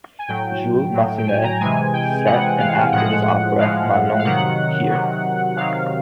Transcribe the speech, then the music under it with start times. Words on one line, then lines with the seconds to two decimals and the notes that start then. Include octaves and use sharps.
Jules Massenet set an act of his opera "Manon" here.
0.19 G#5
0.28 A2 F#3 G5
0.94 A2 F#3
1.18 G5
1.28 G#5
1.44 A#5
1.61 C3 E3 G#3 G#5
1.93 G5
2.26 C3 E3 G#3 F#5
2.59 F5
2.92 A2 F3 G#3 F#5
3.58 A2 F3 G#3 F5
4.19 F5
4.24 C3 D#3 F#3 F#5
4.90 C3 D#3 F#3
5.56 C3 D#3 F#3 F5